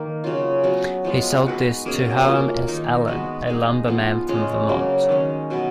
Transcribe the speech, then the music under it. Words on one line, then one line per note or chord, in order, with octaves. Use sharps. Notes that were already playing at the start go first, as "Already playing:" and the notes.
He sold this to Hiram S. Allen, a lumberman from Vermont.
Already playing: D#3 A#3
C#3 F#3 C#4 F4
F#3 B3 F#4
F3 G#3 B3 F4
G#3 D#4 F#4 B4
B2 A#3 C#4 G#4
A#3 F4 A#4
D#3 A#3 D#4
G#3 B3 F#4 B4
G#3 D#4 G#4
F3 B3 F4
C#3 G#3 C#4 F4
C#3 F#3 A#3
D#3 G#3 C#4
B2 F#3 B3